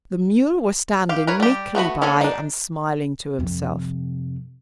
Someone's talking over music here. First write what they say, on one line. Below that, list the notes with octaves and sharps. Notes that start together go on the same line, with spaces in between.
The mule was standing meekly by and smiling to himself.
G4 F5
A#4 B4 C#5
G3 G4
A3 B3 F#4 B5
A#3 C#4 G#4 A4
D4 D#4
F2 C3